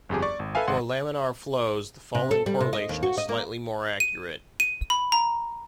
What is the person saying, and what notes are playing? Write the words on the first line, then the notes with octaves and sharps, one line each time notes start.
For laminar flows, the following correlation is slightly more accurate.
G1 F2 G4 G#4
D5 C#6
G#1
A4 B4 E5 F5 G#5
G#1 F#5 C6
C3
A4
G3
C3
D#5
D#2
F#4
D#5
A#3
D#7
D#7
B5
A#5